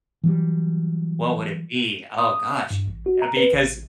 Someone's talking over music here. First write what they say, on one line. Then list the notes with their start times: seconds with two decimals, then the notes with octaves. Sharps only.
what would it be?" Oh, gosh. Uh, because
0.23 E3 F#3 G3
2.19 D#6
2.71 G2
2.87 A1
3.06 F#4
3.22 A#5
3.37 B4
3.53 A1